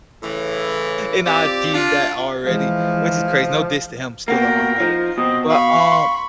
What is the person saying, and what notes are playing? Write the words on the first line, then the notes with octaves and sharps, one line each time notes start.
and I achieved that already, which is crazy. No diss to him, still love my brother. But, um,
A2 C#3 E3
C4 F4 G4 D5
D4 F4
E3 F3 G#3
B2 A#3 A#4 F#5 G5
F3 D#4
B2 C4 D#5
F5 B5 C#6
C6